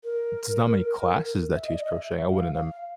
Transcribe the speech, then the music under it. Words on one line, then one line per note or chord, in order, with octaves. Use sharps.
there's not many classes that teach crochet I wouldn't
A#4
E5
D#5
D5
D#5
E5
F5
F5